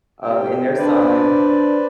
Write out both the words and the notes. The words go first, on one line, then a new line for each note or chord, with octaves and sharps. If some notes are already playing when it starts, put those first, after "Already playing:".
um, and their son,
C3 G5
D4 B4 C5 D5